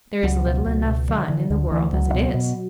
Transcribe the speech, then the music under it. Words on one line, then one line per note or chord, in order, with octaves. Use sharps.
There is little enough fun in the world as it is.
C#2 F#3
B2
C#2
B2
D3 F#3
D3 E3
D2 D3
D2 E3
C#2 F#3
B2
B2